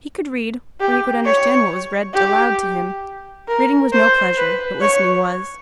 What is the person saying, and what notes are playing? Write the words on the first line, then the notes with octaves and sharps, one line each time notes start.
He could read, or he could understand what was read aloud to him; reading was no pleasure, but listening was.
G4
C#5
G4
A#4
C5
B4
C#5